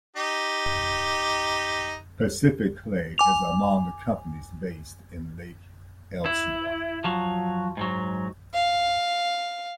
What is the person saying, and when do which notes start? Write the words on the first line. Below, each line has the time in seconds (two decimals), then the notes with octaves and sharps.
Pacific Clay is among the companies based in Lake Elsinore.
0.16 D#4 G4
3.18 G#5 D6 F7
6.26 E4
7.04 F3 F#3
7.77 G#2 F#3
8.54 F5